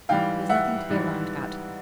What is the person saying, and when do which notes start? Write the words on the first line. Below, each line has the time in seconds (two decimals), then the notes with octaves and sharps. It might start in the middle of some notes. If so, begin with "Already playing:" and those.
There's nothing to be alarmed about.
0.09 G#2 E3 G3 F5 G5
0.49 E5 F#5
0.89 G#2 E3 G3